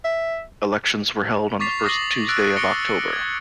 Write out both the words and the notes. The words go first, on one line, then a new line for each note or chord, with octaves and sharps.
Elections were held on the first Tuesday of October.
E5
C#6 D6 A6 B6 C7 F7
D#6 A#6 C7 F#7
E6 F#6 A6 D7
C#6 A#6 C#7 D7 G7
G#6